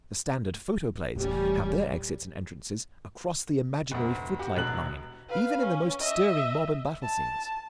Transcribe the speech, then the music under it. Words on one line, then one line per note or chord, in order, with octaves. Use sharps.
The standard photoplays have their exits and entrances across the imaginary footlight line, even in the most stirring mob and battle scenes.
D#1 A2 E3 G3 C#4 G4
F1 D2
F#4 G4
E1 B2 F#6 F#7
B4 F5
C#4
D#5 E5
A5